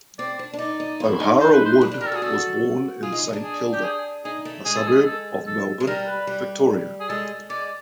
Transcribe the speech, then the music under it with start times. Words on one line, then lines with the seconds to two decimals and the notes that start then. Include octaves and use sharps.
O'Hara Wood was born in Saint Kilda, a suburb of Melbourne, Victoria.
0.19 C4 D5
0.39 D4
0.54 D4
0.59 D#4 D5
0.80 D#4
1.00 E4
1.20 D#4
1.41 C5
1.53 B4
1.65 C5
1.81 D4 B4
1.92 D4
2.01 G4 A#4
2.08 A4
2.12 F#4
2.15 G#4
2.22 F#4 A4
3.03 F4 G#4
3.12 D#4
3.24 D#4
3.33 D4
3.44 G#4
3.73 G4
3.84 G#4
4.25 D#4 G#4
4.45 A3
4.65 G#3 G#4
4.76 A4
4.87 G#4
5.06 A4
5.47 A4
5.80 G#3
5.87 G3 A#4
6.07 B4
6.27 G3
7.00 G#4
7.09 G#3 A4
7.50 G#3 D5